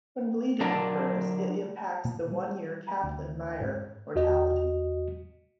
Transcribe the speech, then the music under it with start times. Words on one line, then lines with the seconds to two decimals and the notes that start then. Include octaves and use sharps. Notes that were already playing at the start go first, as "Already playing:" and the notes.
When bleeding occurs, it impacts the one year Kaplan-Meier mortality.
0.60 D3 F#3 D4 A#4 D5 A5
2.05 A#2
2.31 G3
3.03 D2
3.61 G#2
4.15 E2 F#4 D#5